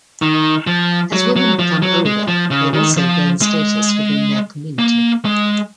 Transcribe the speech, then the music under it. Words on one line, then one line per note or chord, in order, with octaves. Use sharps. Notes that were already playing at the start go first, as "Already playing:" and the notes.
As women become older they also gain status within their community.
D#3
F3
F#3
F#3
F3
F#3
G#3
F3
C#3
D#3
F3
G#3
A#3
G#3